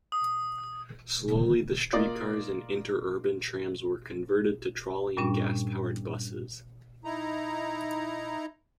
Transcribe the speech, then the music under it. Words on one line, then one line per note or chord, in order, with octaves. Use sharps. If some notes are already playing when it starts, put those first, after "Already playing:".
Slowly the streetcars and interurban trams were converted to trolley and gas-powered buses.
D#6
A#3 F4 D5 D#5
G2 A#2 G3 C#4 D4
D#4 E4 A#5